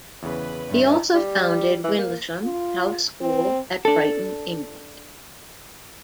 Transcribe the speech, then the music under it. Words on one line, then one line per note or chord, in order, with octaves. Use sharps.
He also founded Windlesham House School at Brighton, England.
E2 C#3 B4
G2 C#5 E5
G3
E3
A#3
F4
C4
D4 A4